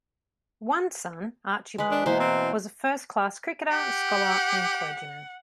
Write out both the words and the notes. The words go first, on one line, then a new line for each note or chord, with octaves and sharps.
One son, Archibald, was a first-class cricketer, scholar and clergyman.
G#3 B4
D4
B2 E3 A#3 C5
C4
G4 F#5